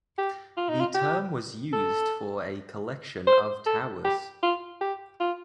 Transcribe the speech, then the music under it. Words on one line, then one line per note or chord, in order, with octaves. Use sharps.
The term was used for a collection of towers.
G4
F4
D#4
F4
G4
A4
C5
A4
G4
F4
G4
F4